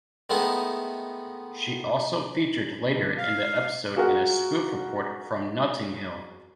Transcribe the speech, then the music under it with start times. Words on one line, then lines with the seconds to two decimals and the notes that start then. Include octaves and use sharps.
She also featured later in the episode in a spoof report from Notting Hill.
0.30 D#3 G#3 A3 B3 D#4 E4
2.87 D2
3.18 F5
3.96 F4 F#4 G#4 A#4 F#5